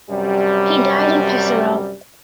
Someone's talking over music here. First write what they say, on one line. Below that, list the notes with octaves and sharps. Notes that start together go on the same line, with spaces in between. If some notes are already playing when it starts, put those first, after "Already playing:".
He died in Pesaro.
F#2 C3 G3